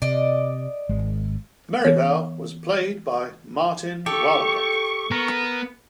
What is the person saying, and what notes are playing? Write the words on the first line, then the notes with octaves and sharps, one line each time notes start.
Merrivale was played by Martin Wyldeck.
C3 D5 D#5
G#1 G#3
E3 B3 C#5
G4 A4 C#6
B3 A#4